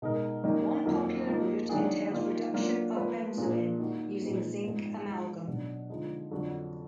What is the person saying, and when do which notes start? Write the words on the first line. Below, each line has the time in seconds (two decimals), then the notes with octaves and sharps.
One popular route entails reduction of benzoin using zinc amalgam.
0.02 B2 G#3 D#4 A#4
0.44 F#2 D#3 A#3 D#4 A#4
0.85 F2 D#3 F#3 A#3
1.27 F3 A#3 D#4
1.69 D#3 F#3 D4 G#4
2.12 D#3 A#3 F4
2.53 F#3 A#3 D4 F4
2.95 F3 A#3 F4 B4
3.37 A#2 F3 A#3 D4 G#4
3.79 D#3 A#3 D#4 F#4
4.22 A#2 G#3 D#4 G#4 B4
4.64 G#2 F3 B3
5.06 F3 G#3 D#4
5.47 B2 F#3 D4
5.89 D3 F3 G#3 D#4
6.31 F2 D3 F#3 D4 F#4